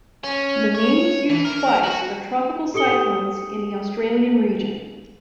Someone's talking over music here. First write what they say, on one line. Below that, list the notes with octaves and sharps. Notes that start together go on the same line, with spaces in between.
The name was used twice for tropical cyclones in the Australian region.
C#4
C#5
E3
A#4
F#4
G4 A4 D#6 C#7 G7